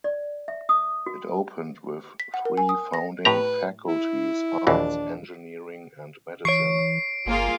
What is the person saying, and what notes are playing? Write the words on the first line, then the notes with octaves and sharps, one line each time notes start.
It opened with three founding faculties, Arts, Engineering and Medicine.
D5
E5
D#6
F#4
B6
F#5
A#4
G#5
D#6
A#6
A2 G4 B4 A#5
E4
A#1 D#2 E3 D4
E3 C#5 C#6 C7 D7
G1 A#3 F4 G#4